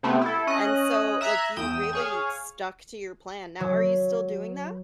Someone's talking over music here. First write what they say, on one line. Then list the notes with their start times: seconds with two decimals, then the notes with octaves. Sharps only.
And so, like, you really stuck to your plan. Now, are you still doing that?
0.03 C3 A3 B3 C4
0.21 E4 A4
0.47 C#4 D#5 F#6
1.21 E5 A#5 F#6 G#6
1.56 E2 G5 D#6 E7
1.93 G#4 C#5 F5
3.60 F#3